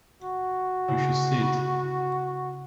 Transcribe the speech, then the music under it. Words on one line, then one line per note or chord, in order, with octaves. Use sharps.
You should see it.
F#4
C#3 E4
B5